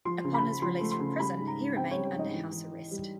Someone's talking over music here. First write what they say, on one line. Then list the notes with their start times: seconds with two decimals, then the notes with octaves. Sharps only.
Upon his release from prison, he remained under house arrest.
0.05 F3 C6
0.24 C#3
0.34 B5
0.43 C#3
0.62 F3 C6
0.81 A3
0.91 C6
1.00 C#3
1.19 G3 B5
1.39 G#2
1.47 A#5
1.57 G#2
1.76 C4 G5
1.91 G3 C#5
2.05 C#5
2.15 G#2 D#5
2.34 E3
2.52 E3
2.71 E3
2.91 G3